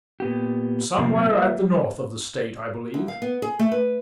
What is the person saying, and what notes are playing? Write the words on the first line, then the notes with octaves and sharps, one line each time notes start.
"Somewhere at the north of the State, I believe."
A#2 B3 G4
F2 C3 F3 G3 A#3
B2 F#3 B3 G#5
G3 A3 A#3 F4 B4 E5
G3
D2
F5
B3
G#4
A3
B4